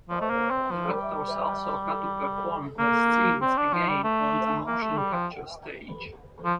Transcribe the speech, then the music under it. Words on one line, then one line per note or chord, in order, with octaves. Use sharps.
The actors also had to perform their scenes again on the motion capture stage.
F3
A3
A#3
C4
F3
G3
A#3
C4
D4
F3
G3
A3
A#3
A3
G3
F3
F3